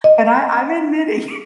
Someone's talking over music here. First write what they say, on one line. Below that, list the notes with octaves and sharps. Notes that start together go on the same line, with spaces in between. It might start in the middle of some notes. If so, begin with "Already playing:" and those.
But I I'm admitting it
D#5